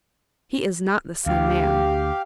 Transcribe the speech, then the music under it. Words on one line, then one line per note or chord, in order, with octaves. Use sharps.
He is not the same man.
D2 G4 F5